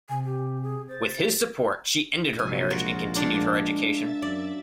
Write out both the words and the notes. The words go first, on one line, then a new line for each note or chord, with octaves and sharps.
With his support she ended her marriage and continued her education.
C3 G#5
G4
G#4
C5 A6
A#1 C3 F#3 G#5
G#3 F4 F#4 A#4
A#3 D4 A#4
E5 A6
F#2 D5